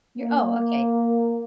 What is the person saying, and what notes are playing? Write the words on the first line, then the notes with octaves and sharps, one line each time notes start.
you're oh, okay,
A#3